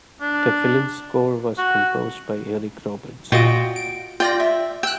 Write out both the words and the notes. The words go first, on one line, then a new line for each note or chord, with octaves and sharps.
The film's score was composed by Eric Robertson.
D4
F#4
A#2 F4 F#4 D#5 G5 D7
D7
F4 D5 G5 A#6
E5
G5 E6 F#6